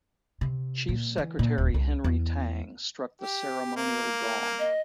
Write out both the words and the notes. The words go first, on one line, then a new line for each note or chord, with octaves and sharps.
Chief Secretary Henry Tang struck the ceremonial gong.
C3
A#2
E3
A#2
D1
C2
E2
G4
A#3
D#5